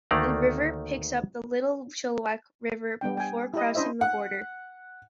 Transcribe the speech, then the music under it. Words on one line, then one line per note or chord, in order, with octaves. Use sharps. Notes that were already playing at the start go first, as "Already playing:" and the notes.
The river picks up the Little Chilliwack River before crossing the border.
D2 D#3 A3 A#3 D5 A#5
G3 B3 D4 G5
G5 G#5
E4 G4 D#5
C#4 D4 E4 C5 D#5 E5
F#5